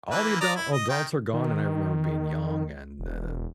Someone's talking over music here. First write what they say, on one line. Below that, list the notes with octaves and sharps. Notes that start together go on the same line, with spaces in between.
all the adult adults are gone, and I remember being young, and, uh,
E3 A#3 B4
D5 A#5 D#6
E4
D#5
D#3 G5
D#3
E1